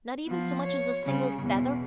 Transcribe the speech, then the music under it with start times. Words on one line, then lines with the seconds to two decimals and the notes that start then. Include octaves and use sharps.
"Not even so much as a single feather?"
0.25 F3 B3
0.63 C#5
1.05 C#3 G3
1.41 E2 B2